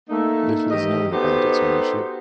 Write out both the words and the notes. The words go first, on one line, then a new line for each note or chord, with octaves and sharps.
Little is known about its ownership.
A3 A#3 D#4
D#3 E3 G4 D#5
B3 D#4 F#4 G4 A4 C5